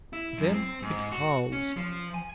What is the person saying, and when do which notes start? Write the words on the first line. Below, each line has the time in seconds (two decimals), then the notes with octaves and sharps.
Then it howls!
0.13 E4
0.38 F#2
0.54 C4
0.82 G#2
1.12 F#4
1.52 C#4
1.77 F3
2.14 G#5